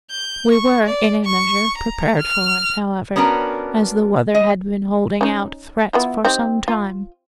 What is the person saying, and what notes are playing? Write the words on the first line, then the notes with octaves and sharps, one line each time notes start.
We were, in a measure, prepared for it, however, as the weather had been holding out threats for some time.
G6
C#6
D5
C#6
A#5
F6
B3 C#4 D4 F#4 A#4
D#5
C#4 D#4
B3 E4 F4
C4 D#4 G4
F4